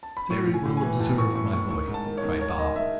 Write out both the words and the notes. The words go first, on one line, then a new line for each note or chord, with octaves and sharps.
"Very well observed, my boy!" cried Bob.
A5
B5
A2 C#6
A2
G#5
A2
G#5
E3
A2 A5
A2 C#6
A2 C#6
A2 C#6
D#3 C#6
G#2
A5
D#3
C#5
D#3
D#3 C#5
D#3 D#5
D#3 E5